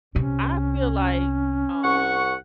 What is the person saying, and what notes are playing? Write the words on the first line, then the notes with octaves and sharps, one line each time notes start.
I feel like, uh,
C2 C3 C#4
C2 F#5 C#6